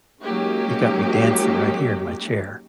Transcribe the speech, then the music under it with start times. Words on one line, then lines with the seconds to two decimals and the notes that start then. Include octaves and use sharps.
you got me dancing right here in my chair.
0.22 F#3 G#3 A#3 C#4 D#4 G4